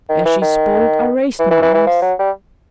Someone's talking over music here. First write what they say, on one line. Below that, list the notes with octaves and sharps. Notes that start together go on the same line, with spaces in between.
As she spoke I raised my eyes.
D#3
E3
D#3
E3
E3
E3
E3
F3
F#3
G3